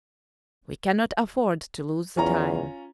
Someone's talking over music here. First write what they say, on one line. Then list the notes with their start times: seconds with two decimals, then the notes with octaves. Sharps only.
"We cannot afford to lose the time."
2.17 E2 C#4 F4 A#5